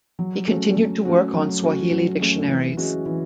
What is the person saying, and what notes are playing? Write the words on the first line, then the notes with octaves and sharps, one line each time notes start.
He continued to work on Swahili dictionaries.
F#3
A3 C#4 F#4
F#3
A3 C#4 F#4
F#3
A3 C#4 F#4
F#3
A3 C#4 F#4
E3
G#3 C#4 F#4
E3